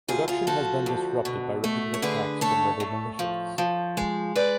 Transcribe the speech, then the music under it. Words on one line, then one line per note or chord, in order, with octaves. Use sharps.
Production has been disrupted by repeated attacks from rebel militias.
D2 F4 G#4
F4 G#4
F3 F#4 A4
D2
B2
A3
C#5
D3 G#4 B4
A3 A4 C#5
A2
F3
F3
G#3
B4 D5